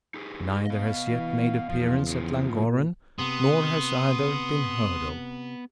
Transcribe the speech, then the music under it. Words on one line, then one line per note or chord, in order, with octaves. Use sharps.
Neither has yet made appearance at Llangorren, nor has either been heard of.
D#4 G4 G#4
B3 D#5 F5
E3
E2 F3
C#3 F3
A#2
C3 B3 C6 D#6